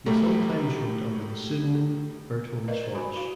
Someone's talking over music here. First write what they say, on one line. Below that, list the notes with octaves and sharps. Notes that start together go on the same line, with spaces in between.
He sometimes wrote under the pseudonym Berthold Schwarz.
A2 F#3 G3 A3 A#3
A#4 B4 D5 D#5 F5
C5
F#4 G#5 B5
E4 F#4 F5